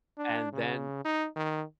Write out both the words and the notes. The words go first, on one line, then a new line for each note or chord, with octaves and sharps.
and then
D4
C#3
D#4
D#3